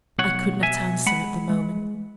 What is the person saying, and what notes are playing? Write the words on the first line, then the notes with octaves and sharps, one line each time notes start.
I could not answer at the moment.
B1 C#5 F#5
B2 E5 G#5
G#3 F#5 B5
G#3